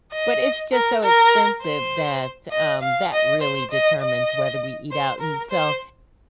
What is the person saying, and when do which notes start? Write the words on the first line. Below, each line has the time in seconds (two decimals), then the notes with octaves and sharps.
But it's just so expensive that, um that really determines whether we eat out. And so,
0.13 D#5
0.73 A#4
1.03 A#4
1.62 C5
2.51 D#5
2.82 F5
3.12 D#5
3.42 C5
3.71 D#5
4.01 D#5
4.92 C5
5.20 A#4
5.50 C5